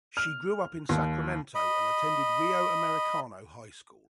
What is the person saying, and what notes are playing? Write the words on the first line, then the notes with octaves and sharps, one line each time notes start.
She grew up in Sacramento and attended Rio Americano High School.
F6
D#2
D#5 B5